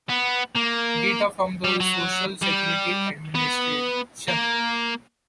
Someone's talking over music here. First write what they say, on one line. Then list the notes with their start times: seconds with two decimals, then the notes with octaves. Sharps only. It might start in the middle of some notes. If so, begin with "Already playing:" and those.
Data from the Social Security Administration.
0.10 B3
0.56 A#3
1.64 G3
1.80 F#3
2.42 G3
3.35 B3
4.28 A#3